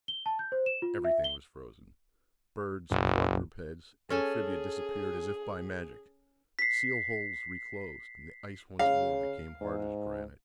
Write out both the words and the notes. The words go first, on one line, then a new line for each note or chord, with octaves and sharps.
Everything was frozen--birds, quadrupeds, amphibia disappeared as if by magic; seal-holes reclosed, and the ice once more became hard as granite.
G7
A5
G6
C5
E7
F4
E5
G7
F#1 B1 F#2
C#4 G#4 A4 G#5
B6 C7
C#3 F5
G#2